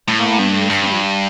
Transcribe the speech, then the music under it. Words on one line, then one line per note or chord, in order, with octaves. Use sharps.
'How long do you think?'
A2
G2
G2